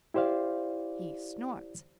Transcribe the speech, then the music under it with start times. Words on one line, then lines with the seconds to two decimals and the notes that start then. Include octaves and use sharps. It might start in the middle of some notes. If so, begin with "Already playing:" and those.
He snorts.
0.14 E4 G4 C5 D5 F5